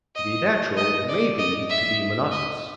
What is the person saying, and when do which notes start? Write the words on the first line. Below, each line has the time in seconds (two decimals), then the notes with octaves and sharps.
To be natural may be to be monotonous.
0.16 D#5
0.77 D#5
1.09 D5
1.39 D#5
1.69 E5
2.31 D#5